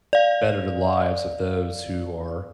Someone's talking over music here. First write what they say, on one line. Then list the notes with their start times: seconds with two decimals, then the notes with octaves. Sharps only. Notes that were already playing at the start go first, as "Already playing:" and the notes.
better the lives of those who are
0.13 D5 F5